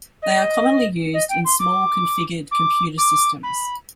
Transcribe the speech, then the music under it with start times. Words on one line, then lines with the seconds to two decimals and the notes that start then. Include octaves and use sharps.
They are commonly used in small-configured computer systems.
0.22 D#5
1.13 D#5
1.29 G5
1.44 C6
1.59 D6
2.51 D6
2.97 D6
3.43 B5